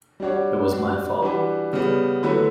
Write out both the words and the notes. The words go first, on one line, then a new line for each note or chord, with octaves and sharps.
It was my fault.
G3 D4 F#4 C#5
G3 D4 F#4
E3 G3 D4 F#4 B4
C#3 G3 B3
D3 F#3 A3 E4 B4